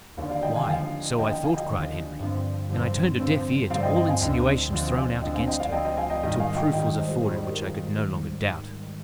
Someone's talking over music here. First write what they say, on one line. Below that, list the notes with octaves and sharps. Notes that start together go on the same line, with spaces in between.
"Why, so I thought," cried Henry, "and I turned a deaf ear to all insinuations thrown out against her, till proof was afforded which I could no longer doubt."
D#2 D3 F3 D5 F5
D5 F5
D#5 G5
F5 G#5
G5
D#2 D3 F3 F5 G#5
D#2 D3 F3 D#5 G5
D#5 G5
F5 G#5
D#5 G5
D#2 D3 F3
G2 D3 F3 C4
G2 D3 F3 C4
G2 D3 F3 C4
G2 D3 F3 C4 D5 F5
D#5 G5
D#5 G5
F5 G#5
D2 D3 F3 C4 D#5 G5
D2 D3 F3 C4
F5 G#5
D2 D3 F3 C4 D#5 G5
F5 G#5
D#5 G5
D5 F5
D2 D3 F3 C4 D#5 G5
D#5 G5
F5 G#5
D#5 G5
G#2 D#3 G3 D#5 G5
F5 G#5
D#5 G5
G#2 D#3 G3 D#5 G5
D#5 G5
C5 D#5
G#4 C5
G#2 D#3 G3 G#4 C5
G#4 C5
G4 A#4
F4 G#4